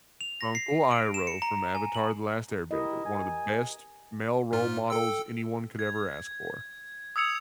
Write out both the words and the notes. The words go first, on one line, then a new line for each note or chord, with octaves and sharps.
Uncle Iroh from Avatar: The Last Airbender, one of the best male role models anyone could ever ask for,
F7
A#6
C7
D7
E7
C#7
A#5
G#5
F#7
E4 G4 A#4 D#5
G#5
G#2 F4 F6
A4 G5 E6
G#6
D#6 E6 G#6 C#7 F7